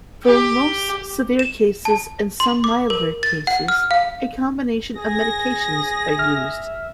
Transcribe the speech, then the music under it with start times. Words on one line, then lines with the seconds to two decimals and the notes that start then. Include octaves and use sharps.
For most severe cases and some milder cases, a combination of medications are used.
0.25 G4
1.39 E7
1.85 A5
2.40 C6
2.64 D6
2.90 A#4
3.23 A6
3.47 F#5
3.68 F6
3.91 F5
4.97 G#4 A#6
6.19 E5 F6